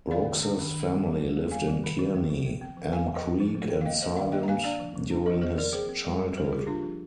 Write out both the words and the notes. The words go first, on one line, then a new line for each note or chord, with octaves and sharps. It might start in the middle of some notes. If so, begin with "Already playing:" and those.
Brooks' family lived in Kearney, Elm Creek, and Sargent during his childhood.
D#3 D5 F5
D#3
D4
D#3
D#3
G3
G3
G3
A#3
G3 F5 G#5
G3
D#3
F3
C4
F3
C4
C4
F3
F3 F5 G#5
F3
D#5 G5
F3
F3
F3
C4
F5
A#3 D#5 G5
A#3 C5 D#5
D#3 D5 F5
A#3 D#5 G5
A#5
A#3 F5 G#5
D4 D5 F5
F3
F3
D4
F3 C5 D#5
F3 C5 D#5
A#3 A#4 D5
C4 G#4 C5
C4
G3
G3
G3 C5
A#4
G3 G#4
G4
A#3 D4 F4
F3